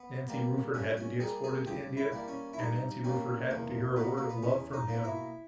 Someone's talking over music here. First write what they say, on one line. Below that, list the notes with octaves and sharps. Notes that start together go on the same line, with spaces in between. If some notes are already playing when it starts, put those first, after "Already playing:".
Nancy Rufford had to be exported to India, and Nancy Rufford hadn't to hear a word of love from him.
Already playing: B3
G3 A#3
G2 C#4
C#4
G3 A#3 G#4
G#4
G2 G4
E4
G3 A#3
C#4
E4
G2 D#4
G3 A#3 C#4
E2 A#3
B2 A#3 B3
A#3
B3
E2 C#4
D#4
B2 A#3
E4